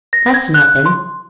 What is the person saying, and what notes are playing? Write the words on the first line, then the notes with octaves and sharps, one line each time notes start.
'That's nothing.
A#6
G#6
F#6
C6